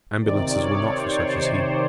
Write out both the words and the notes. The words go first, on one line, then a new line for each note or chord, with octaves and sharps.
Ambulances were not for such as he.
C3 D#3 D5
C#5
C5
C5